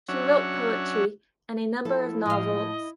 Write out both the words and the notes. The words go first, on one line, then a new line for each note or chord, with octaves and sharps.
She wrote poetry and a number of novels.
F#3 C#4 D4 C#5 E5 F#5
F3 E4 A4
A2 D#5 F5